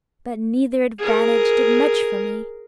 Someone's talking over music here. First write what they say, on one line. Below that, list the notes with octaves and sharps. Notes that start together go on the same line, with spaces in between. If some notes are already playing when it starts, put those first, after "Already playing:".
But neither advantage did much for me.
G#4 A#4